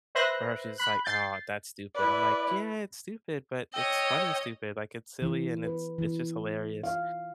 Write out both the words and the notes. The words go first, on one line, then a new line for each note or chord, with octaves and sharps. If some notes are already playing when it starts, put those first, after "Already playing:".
for her she's just like, "Oh, that's stupid." I'm like, "Yeah, it's stupid, but it's funny stupid, like, it's silly and it's it's just hilarious."
B4 C5 E5 C6 F#6 A#6
B5 F#6
G6 A6 C7
E4 B4 D5
C#5 D#5 G5 E6
E3
B4
E3
F5